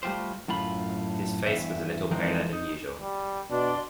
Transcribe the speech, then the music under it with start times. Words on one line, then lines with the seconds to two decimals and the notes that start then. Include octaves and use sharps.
His face was a little paler than usual.
0.03 G3 A3 F4 G4 C5
0.48 F#2 A2 F4 B5
1.47 E2 G2 E5
2.11 E3 F3 G#3 C4 D#4 A#4
2.53 D#4
3.01 G3
3.51 B2 D4 D5 C6